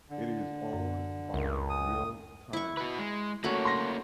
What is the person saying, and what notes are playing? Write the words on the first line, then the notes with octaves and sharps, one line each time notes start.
It is owned by Real Times.
D3
F#2
C#2 A#4
D#6
E4 C#6
F#4 B4
G#3
A3 A#3 C#4 F#4 C#5 F#7
C6 A#6